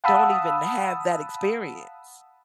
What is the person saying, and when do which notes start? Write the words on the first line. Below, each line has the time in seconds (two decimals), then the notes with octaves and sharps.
don't even have that experience.
0.04 F5 F#5 A5 B5 D#6 E6